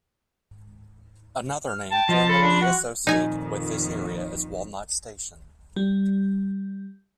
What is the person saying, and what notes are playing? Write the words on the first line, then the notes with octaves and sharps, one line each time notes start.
Another name formerly associated with the area is "Walnut Station".
F6
G5 A5
F3 D#5
A4 B5
D4
F#4 F#6
F2 A#2 D#3 D#4 G#5
G3